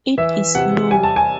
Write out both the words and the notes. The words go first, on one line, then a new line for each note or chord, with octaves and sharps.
It is slow.
E3 E5
C3 F#5
G3 G#5
A5
G#5